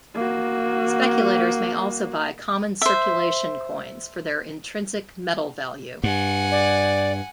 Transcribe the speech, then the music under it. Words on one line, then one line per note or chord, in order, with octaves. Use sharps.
Speculators may also buy common circulation coins for their intrinsic metal value.
A#3 F#4
C5 E5
G2 F#5 G#5
D5